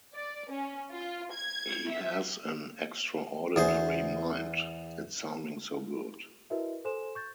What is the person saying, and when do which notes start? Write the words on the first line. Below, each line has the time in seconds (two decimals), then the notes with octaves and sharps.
He has an extraordinary mind - it's sounding so good.
0.14 D5
0.52 C#4
0.92 F4
1.33 G#6
1.89 E5
3.56 E2 G#4 C5
6.50 E4 F#4 A#4 B4 D#5 E5
6.85 A4 C5 G#5 C6 E7
7.15 C#6 G6 A6